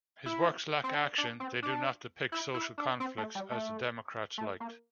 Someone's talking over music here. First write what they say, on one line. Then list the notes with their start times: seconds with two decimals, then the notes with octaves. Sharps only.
His works lack action, they do not depict social conflicts, as the democrats liked.
0.26 E4
0.84 C4
0.95 D4
1.18 D4
1.40 C4
1.62 D4
2.32 E4
2.54 E4
2.78 D4
3.00 C4
3.18 A3
3.35 G3
3.51 A3
4.38 A3
4.60 A#3